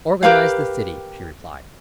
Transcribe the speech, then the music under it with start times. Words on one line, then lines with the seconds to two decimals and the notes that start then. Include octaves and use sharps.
"Organize the city," she replied.
0.23 G4 A#4 B4 F5